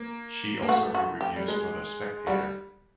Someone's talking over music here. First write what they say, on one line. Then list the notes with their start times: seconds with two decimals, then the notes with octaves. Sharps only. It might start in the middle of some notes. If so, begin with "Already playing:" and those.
She also wrote reviews for "The Spectator".
Already playing: A#3
0.62 A#3
0.68 A3 F#4
0.95 F#4
1.21 G4
1.36 G3
1.48 G#3
2.27 G3 F#4